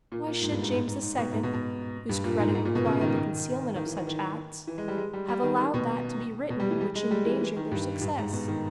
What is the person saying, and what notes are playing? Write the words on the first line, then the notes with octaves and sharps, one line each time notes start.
Why should James II., whose credit required the concealment of such acts, have allowed that to be written which endangered their success?
A#2
A#2
G#2
G2
G#2
G#2
G#2
G#2
B2
G#2
B2
B2
G2
A#2
G#2
G#2
A#2
B2
C#3
D#3
D#3
E3
D#3
D#3
E3
G#3
G3
G#3
G3
G3
D#3
D#3
B2
B2
G3
E3
G3
G#3
G3
E3
E3
D#3
G2
G2
G#2
B2
D#3